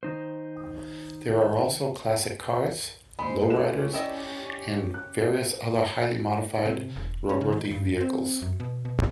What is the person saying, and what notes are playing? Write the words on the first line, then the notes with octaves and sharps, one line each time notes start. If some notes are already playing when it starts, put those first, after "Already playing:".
There are also classic cars, lowriders, and various other highly modified roadworthy vehicles.
D#3 D#4 C5
D#2 G#3 C5 B5
A3 C#4 E4 G4 E7
D#3 E4 D5 D#5
F#6
C3
E1
C#4
C#3
D#3
G2
C4
F#2
B2
B2